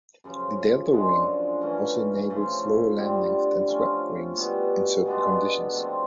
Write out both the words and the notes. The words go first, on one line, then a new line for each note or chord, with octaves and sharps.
The delta wing also enabled slower landings than swept wings in certain conditions.
F#2 C#3 F3
F#2 D3 F3 G#3
E3 A3 C#4
C#3 F3 A3
D3 G3 C4
F3 A3 C#4 F4
B2 G3 B3
B2 G#3 B3 D4
F3 A3 C4